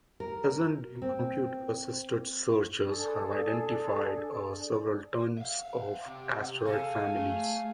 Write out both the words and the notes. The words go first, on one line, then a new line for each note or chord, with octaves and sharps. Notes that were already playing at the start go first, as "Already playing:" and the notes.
Present day computer-assisted searches have identified several tens of asteroid families.
A#4
C4
D4 G#4 A4 D5
E5 F5
C3
G#4 A4 F5 G#5
G#3 A3